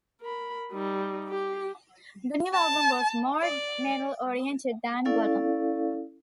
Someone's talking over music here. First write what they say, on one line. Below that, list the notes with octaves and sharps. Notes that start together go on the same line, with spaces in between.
The new album was more metal oriented than "Golem".
A#4 B5
G3 D#4
G4
A5
D5
C#4 E4 A4 D5 F5